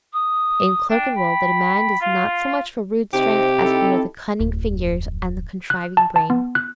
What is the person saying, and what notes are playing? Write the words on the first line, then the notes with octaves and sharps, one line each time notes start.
In Clerkenwell the demand is not so much for rude strength as for the cunning fingers and the contriving brain.
D#6
D4 G5
B5
F4 F5
C3 C4 D#4 G4
C4 D#4 E4 A4
D1 F2
F#6
A5
A5
B3
F#6